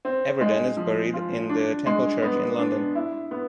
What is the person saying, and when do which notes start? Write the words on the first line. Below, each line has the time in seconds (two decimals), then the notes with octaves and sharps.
Everdon is buried in the Temple Church in London.
0.05 C4
0.41 G#3
0.77 F3
1.13 F4
1.49 D4
1.86 G#3
2.22 B3
2.59 D4
2.95 E4
3.31 B3